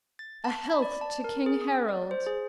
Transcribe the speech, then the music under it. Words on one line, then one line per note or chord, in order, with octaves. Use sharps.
"A health to King Harald!"
A6
A5
B5
D5
A5
A#4
G#4
D#6
D5
C5
G#4